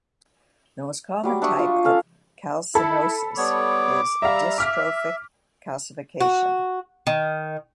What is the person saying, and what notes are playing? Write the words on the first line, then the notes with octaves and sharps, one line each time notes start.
The most common type of calcinosis is dystrophic calcification.
F#3 G3 D6
D4 E5 C#6 D#6
F4
C#4 A4 F5
E4 A4 A5 B5
G3 B3 C#5 D6
G3 E5 F5 A#5
E5 D6 F6 B6
F#4
D#3